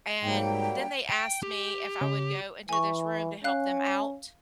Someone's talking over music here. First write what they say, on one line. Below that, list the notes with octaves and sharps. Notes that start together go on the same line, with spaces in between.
and then they asked me if I would go into this room to help them out,
G#2 F#3 G3 A#3 G5
G5
G4
C#3
E3 G#5 C#6
C#4 F5 F#6